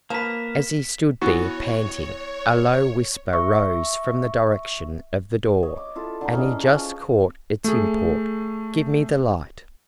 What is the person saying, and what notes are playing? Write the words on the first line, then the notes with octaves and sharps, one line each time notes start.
As he stood there, panting, a low whisper rose from the direction of the door, and he just caught its import, "Give me the light."
F3 A#3 A#4 B4 B6 E7
E3 B3 F#4 C#5
E5 C#6
C#5 D#5
D6
E4 F4 A4
D3 D4 D#4
E3 C#4 D#4 G#4
F3 G#5
A3 G#4